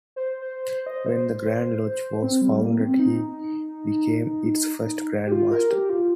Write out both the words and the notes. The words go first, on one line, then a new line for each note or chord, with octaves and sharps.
When the Grand Lodge was founded he became its first Grand Master.
C5
C5
C5
D#5
C5
C5
C4
G3
A#3
C4
D#4
G4
F4
A#4
G4
F4